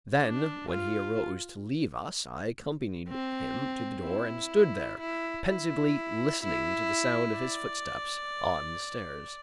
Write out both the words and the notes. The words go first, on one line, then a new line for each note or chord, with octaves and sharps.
Then, when he arose to leave us, I accompanied him to the door and stood there; pensively listening to the sound of his footsteps on the stairs.
D4
F4
C4
E4
E4
E4
E4
D5